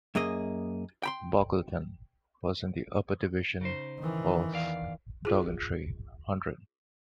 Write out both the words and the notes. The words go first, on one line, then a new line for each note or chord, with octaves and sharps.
Bockleton was in the upper division of Doddingtree Hundred.
F#2 A#3 G#4 D#5
G5 B5 C6
C#3 D#4 C5
D#3 E3
E2 D5 F5
F4 G#4